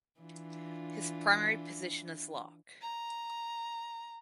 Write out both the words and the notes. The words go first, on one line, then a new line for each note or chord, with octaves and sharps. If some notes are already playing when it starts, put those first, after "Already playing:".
His primary position is lock.
E3 D4 F4
A#5